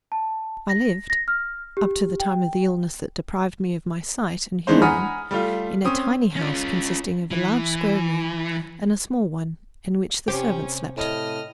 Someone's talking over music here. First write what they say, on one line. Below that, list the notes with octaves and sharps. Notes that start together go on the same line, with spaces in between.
I lived, up to the time of the illness that deprived me of my sight and hearing, in a tiny house consisting of a large square room and a small one, in which the servant slept.
A5
A#6
A#6
F6
G4
G5
D#3 E3 G#3 D4 D#4 C5
F#5 G#5 A#5 B5 D#6 F6
G3 A3 F4
C4 C#4 D#6
C#4 F4
E3
C3 C#4 G4 C5
A2 D#5 F6